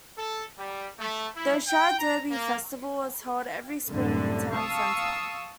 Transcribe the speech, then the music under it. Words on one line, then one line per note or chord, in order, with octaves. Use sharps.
The Shad Derby Festival is held every spring in the town center.
A4
G3
A3
E4
G5
A#5
A#3
C2 F#2 A2 D3
F5 A5 C#6 D#6 E6